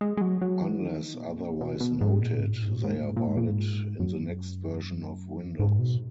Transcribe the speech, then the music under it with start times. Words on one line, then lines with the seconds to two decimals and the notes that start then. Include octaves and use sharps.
Unless otherwise noted, they are valid in the next version of Windows.
0.01 G#3
0.17 G#3
0.21 F#3
0.41 F#3
0.62 E3
0.82 D#3
1.14 B2
1.21 A#2
1.61 B2
1.74 C#3
1.80 B2
2.01 G#2
2.21 A#2
2.40 G#2
2.52 A#2
2.62 G#2
2.73 A#2
2.84 G#2
2.95 A#2
3.05 G#2
3.17 A#2
3.27 G#2
3.37 A#2
3.48 G#2
4.00 F#2
5.59 G#2
5.79 B2